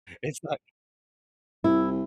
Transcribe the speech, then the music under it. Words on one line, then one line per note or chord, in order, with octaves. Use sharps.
It's not
C2 E4